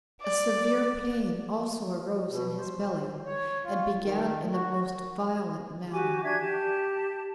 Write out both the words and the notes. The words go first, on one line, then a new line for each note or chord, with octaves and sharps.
A severe pain also arose in his belly, and began in a most violent manner.
D5
B2
C5
C#5
F4
D#3
F#4
F#4 G4 G#5 D6
D4 E5 G#6
G4 A5